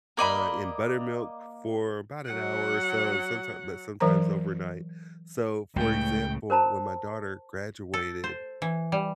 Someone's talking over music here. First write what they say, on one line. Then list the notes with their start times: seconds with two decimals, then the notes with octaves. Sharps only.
uh, in buttermilk for about an hour or so, and sometime but sometimes overnight. So, for example, when my daughter graduated,
0.17 A#3 D5 D#5 B5
2.26 F#3 F#5
4.00 E3 F#3 A#4 C5 A#5
5.76 C#2 A2 C#3 G5
6.50 A#4 C5 A5 A#5
7.94 A4
8.24 C5
8.62 E3
8.92 G3